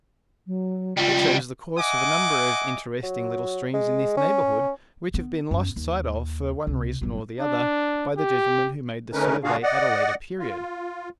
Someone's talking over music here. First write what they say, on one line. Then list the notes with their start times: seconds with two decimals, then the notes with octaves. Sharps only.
It shows the course of a number of interesting little streams in this neighbourhood which have been lost sight of for one reason or the other by the gentleman who made the survey at a later period.
0.47 F#3
0.97 C#2 G3 F4
1.78 D#5 E5 F#5 G#5 D6
3.03 F#3
3.73 G#3
4.17 C#4
5.14 B3
5.51 F#2 B3
5.76 D#2
6.67 C#2 C3
7.01 G1 F#3
7.41 D4
8.18 G4
9.13 D3 A3 C#4 D#4 A#4 B4
9.44 C#3 D4 F4 F#4 G#4 F5
9.63 D5 D#5 F#5
10.39 F4